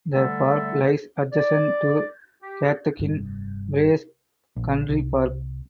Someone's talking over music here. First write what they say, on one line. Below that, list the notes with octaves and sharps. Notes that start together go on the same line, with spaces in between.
The park lies adjacent to Cathkin Braes Country Park.
D3 G3 A3 A4 E5 F#5
D5
G4
F1 G2
A#1
C2